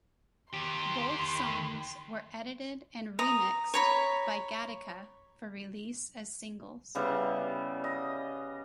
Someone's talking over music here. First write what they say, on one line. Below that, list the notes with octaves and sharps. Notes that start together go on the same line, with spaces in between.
Both songs were edited and remixed by Gatica for release as singles.
D#3 G4 C6
A#5 D#6
C#5 A#5 B5
C#3 G3 B3 E4
D#5